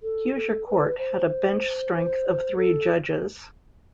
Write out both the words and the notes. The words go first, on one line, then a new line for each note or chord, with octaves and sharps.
Huzur Court had a bench strength of three judges.
A4
A4
B4
C5
C5
A4